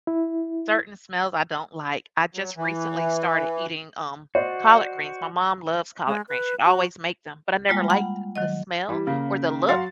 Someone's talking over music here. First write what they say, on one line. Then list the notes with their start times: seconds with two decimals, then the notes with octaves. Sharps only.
certain smells I don't like. I just recently started eating, um, collard greens. My mom loves collard greens. She'd always make them, but I never liked the smell or the look,
0.07 E4
2.34 F#3
2.57 E3
4.35 F#4 C5 D5 D#5
6.07 G#3
6.29 B4
6.65 F#4
7.69 G3 G#3 A#3 F4
7.90 F#5 G5 B5
8.35 D#3 F#3 D#5
8.88 E3 G3
9.07 C#3 A#3
9.69 F#3 F#4 F5 C6 A6